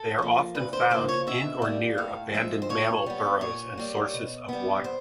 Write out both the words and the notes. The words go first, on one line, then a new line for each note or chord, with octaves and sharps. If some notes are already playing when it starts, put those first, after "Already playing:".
They are often found in or near abandoned mammal burrows and sources of water.
Already playing: A4
F3 A#3
D2 B4
C5
C#3 F3 A#3 C5
C#5
B2 E5
G3 A#3
A2 F5
F3 G#3 E5
C5
A#2 C#5
G3 B3
A#2 C#5
G3 A#3
B2
G3 B3
C5